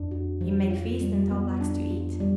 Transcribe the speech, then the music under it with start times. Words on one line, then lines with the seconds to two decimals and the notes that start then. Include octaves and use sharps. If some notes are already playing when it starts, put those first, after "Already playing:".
He make feast and tell Blacks to eat.
Already playing: F2 D4
0.11 F#4
0.41 F3
0.71 F4
1.01 G3
1.31 B3
1.61 D4
1.90 F4
2.20 G3